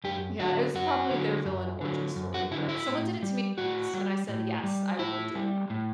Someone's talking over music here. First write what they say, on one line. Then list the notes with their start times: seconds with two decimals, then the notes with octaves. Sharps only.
Yeah, it's probably their villain origin story, but someone did it to me worse and I said yes, I will be doing that.
0.04 F#2 G4
0.40 D3 F#3 F#4
0.75 F#2 F#4
1.11 D3 F#3
1.46 F#2
1.81 D3 F#3
2.16 F#2
2.34 F#4
2.51 D3 E4
2.55 F#3
2.69 E4
2.86 A2
3.23 G3
3.58 A2 F#4
3.94 G3
4.29 A2
4.64 G3
4.99 A2 E4
5.35 G3
5.70 A2